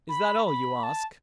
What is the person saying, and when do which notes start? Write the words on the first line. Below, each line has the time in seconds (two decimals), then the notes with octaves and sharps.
"Is that all you ask?"
0.09 B5
0.46 B5
0.83 A5